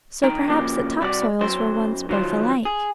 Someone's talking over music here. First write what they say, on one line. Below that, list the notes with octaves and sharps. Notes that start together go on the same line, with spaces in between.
So perhaps the top soils were once both alike.
B1 D#4 G5 A#5
C#3 F3 A#3 G4
C3 G3 F#4 D5
F#2 F#3 C5
D#3 F#3 F4 C5
G#4